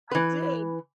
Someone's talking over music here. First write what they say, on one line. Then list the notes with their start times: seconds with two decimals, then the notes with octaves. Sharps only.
I did.
0.11 E3 B4